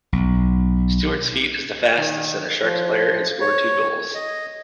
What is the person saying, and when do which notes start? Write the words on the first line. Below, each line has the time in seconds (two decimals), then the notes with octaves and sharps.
Stuart's feat is the fastest that a Sharks player has scored two goals.
0.13 B1
1.96 D#3
2.63 F3
3.41 C#5
4.15 D#5